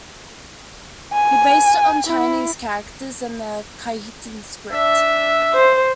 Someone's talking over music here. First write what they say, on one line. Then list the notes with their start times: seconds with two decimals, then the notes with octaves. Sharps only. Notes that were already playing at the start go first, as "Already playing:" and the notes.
He based it on Chinese characters and the Khitan script.
1.13 G#5
2.07 E4
4.71 D4 E5
5.54 C5